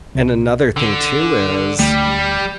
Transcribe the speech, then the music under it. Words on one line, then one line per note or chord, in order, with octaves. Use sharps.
and another thing too is
C2
D3
D2 G3 A3